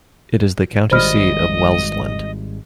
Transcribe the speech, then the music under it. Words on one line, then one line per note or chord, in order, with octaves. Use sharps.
It is the county seat of Wels-Land.
G#1 G#2 D#3 G3 C5 D#5 B5 F6